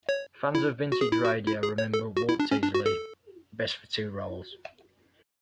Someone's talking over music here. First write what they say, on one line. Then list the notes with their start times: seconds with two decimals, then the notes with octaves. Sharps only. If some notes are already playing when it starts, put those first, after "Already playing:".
Fans of vintage radio remember Walter Tetley best for two roles.
0.09 C#5
0.55 E4
0.92 F#4
1.01 G#4
1.12 E4
1.25 F#4
1.47 E4
1.63 G#4
1.78 C#5
1.94 A4
2.17 F#4
2.29 E4
2.40 D4
2.51 C#4
2.63 D4
2.75 F#4
2.86 A4